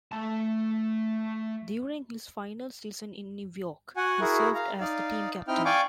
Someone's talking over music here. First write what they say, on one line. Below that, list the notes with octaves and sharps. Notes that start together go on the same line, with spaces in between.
During his final season in New York, he served as the team captain.
A3 A5
F#4 F#5 G#5
E4 F#4 G#4 A#4
F5 A#5
D#4 D5 F5
C4 D#4 E4 G5 F6
D5 F5 G5 G#5 C#6 D6